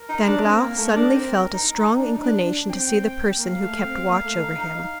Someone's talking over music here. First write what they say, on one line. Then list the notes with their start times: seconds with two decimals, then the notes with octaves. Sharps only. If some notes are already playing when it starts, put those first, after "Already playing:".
Danglars suddenly felt a strong inclination to see the person who kept watch over him.
Already playing: A#4
0.09 D#4
0.27 D4
0.45 C4
0.61 A#3
0.78 A3
0.95 D4
1.14 C4
1.54 D#4
1.77 D#4
1.99 D4
2.12 D#4
2.23 D4
2.46 D4
2.69 C4 G5
3.37 A#3 F5
3.61 A3
3.84 C4
4.07 A#3
4.25 A3
4.42 D#4
4.58 D#4
4.76 D#4